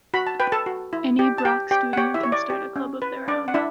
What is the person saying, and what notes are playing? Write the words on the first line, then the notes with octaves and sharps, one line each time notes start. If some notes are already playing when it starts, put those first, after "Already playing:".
Any Brock student can start a club of their own.
F#4 B5
A5
B4 G5
A4 A5
F#4
E4
G4
A5
G4 G5
G4 G5
F#5
G4 C#5 G5
E4 E5
C#5
D5
G4
C#4
B4
D4 D5
F#5
D4 E4 E5